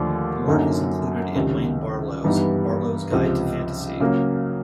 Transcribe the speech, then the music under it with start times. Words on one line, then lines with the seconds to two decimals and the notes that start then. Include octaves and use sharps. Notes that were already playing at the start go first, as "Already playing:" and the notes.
Mort is included in Wayne Barlowe's "Barlowe's Guide to Fantasy".
Already playing: D#2 D3 F3 A3 D4
0.47 F#2 D3 F#3 A#3 D#4
1.35 C#2 C3 D#3
2.24 G2 E3 G3 B3 D#4
3.12 C#2 C3 F3
4.00 C#3 F#3 A#3